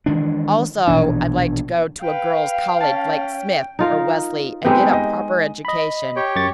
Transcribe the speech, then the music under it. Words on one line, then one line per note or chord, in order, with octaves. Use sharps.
Also I'd like to go to a girl's college, like Smith or Wellesley, and get a proper education.
D#3 E3 G#3 D4
A#1 B2 E3 D4
B4 F5 G5
C#4 A5
D#4 F4 A#4
G#3 B3 C4 D#4 G4 G5
D#5
D#5 B5
G4 C#5 G5
F#2 C#6 A6